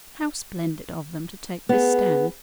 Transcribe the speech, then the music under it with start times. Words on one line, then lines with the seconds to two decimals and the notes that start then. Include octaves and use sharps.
How splendid of them to take this stand!
1.69 B3 G#4